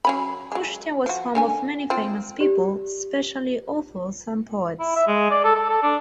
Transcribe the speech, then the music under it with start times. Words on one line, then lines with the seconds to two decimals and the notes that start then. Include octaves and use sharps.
Kushtia was home of many famous people, especially authors and poets.
0.05 F#3 C#4 B5
0.52 F#3 G#3
1.06 F3 F#4
1.35 D3 C#4 G#5
1.90 C4 F4
2.40 G4 D5
4.80 E4
4.96 E5
5.07 G#3
5.31 D5
5.44 A4
5.56 A4
5.69 A4
5.83 D4